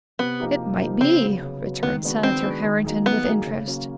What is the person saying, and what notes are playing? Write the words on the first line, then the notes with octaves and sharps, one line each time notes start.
"It might be," returned Senator Harrington, with interest.
C3 B3
F3 A#3 D#4 G4
C3
F3 A#3 D#4 G4
C#3 C4
F#3 B3
C#3
F#3 B3
D#3 B3
G#3 B3 D4 F#4
D#3 C4
G#3 B3 D4 F#4
D#3
F#3 A#3 D#4 G#4
D#3 B3
F#3 A#3 D#4 G#4
C#3
F#3 A#3 C#4